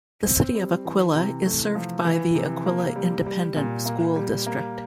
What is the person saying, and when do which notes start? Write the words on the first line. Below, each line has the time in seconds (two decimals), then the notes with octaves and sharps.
The City of Aquilla is served by the Aquilla Independent School District.
0.25 C4
0.55 G3
0.85 E3
1.15 C3
1.46 A3
1.75 F3
2.05 E3
2.35 C3
2.66 A#3
2.96 G3
3.26 G3
3.56 A#2
3.86 A#3
4.16 G3
4.46 A#3